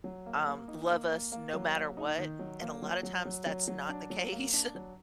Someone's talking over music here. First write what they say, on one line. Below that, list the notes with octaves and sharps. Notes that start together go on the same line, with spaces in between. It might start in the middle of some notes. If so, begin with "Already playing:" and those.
um, love us no matter what, and a lotta times that's not the case.
F#3
A#3
A#3
D#4
A#3
A#3
A#3
F#3
A#3
D#4
D#3
F#3
A#3
F#3
F#3
F#3
F#3
F#3
D4
F#3
A#3
D4
F#3